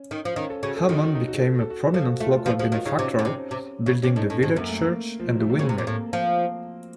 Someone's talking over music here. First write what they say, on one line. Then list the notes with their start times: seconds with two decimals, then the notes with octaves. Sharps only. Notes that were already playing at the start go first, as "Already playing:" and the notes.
Hammond became a prominent local benefactor, building the village church and the windmill.
Already playing: C#4
0.11 D#3
0.25 F3
0.36 D#3 C#4
0.50 A4
0.63 C#3 F#4
0.77 A4
0.89 D#3 F#4
1.02 F#4
1.15 D#4
1.28 F#4
1.39 A4
1.49 F#4
1.60 A4
1.70 F#4
1.94 F3 A4
2.07 F#4
2.20 A3 F4
2.33 F4
2.46 F3 A4
2.59 F3 F#4
2.72 D#3 F4
2.85 C#3 D#4
2.98 C3 C#4
3.19 A#2
3.25 C3
3.51 C3
3.86 C#3
4.03 C3 C#4
4.16 A2 D#4
4.29 A2 C#4
4.43 A2 C4
4.56 F#2 A#3
4.69 A3
4.82 A#3
5.19 F3
5.29 F#3
5.40 A3
5.50 A#3
5.59 C#3 C4
5.69 C3
5.78 A#2
5.87 A2 A#3
6.13 F3